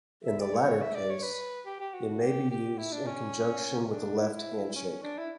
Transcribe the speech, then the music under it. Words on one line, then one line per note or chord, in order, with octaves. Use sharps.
In the latter case, it may be used in conjunction with the left handshake.
E5
D5
C#5
E5
D5
C#5
B4
G4
G4
F#4
G4
G4
E4
D4
C#4
D4
E4
E4
C#4
D4
E4